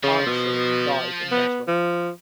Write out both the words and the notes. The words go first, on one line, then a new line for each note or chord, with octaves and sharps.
Arnefrit died in battle.
C#3 F3
B2
B3
F3